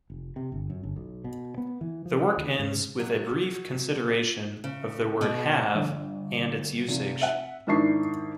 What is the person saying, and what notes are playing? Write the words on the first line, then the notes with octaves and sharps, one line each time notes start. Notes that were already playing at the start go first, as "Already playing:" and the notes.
The work ends with a brief consideration of the word 'have' and its usage.
F1
C3
G1
F#2
G1
B1
B2
B3
E3
F3
D#2
G#2
F#3
C#3
B2
G1
F1
E5 F#5
G#2 D#3 D4 E4 C#6 C7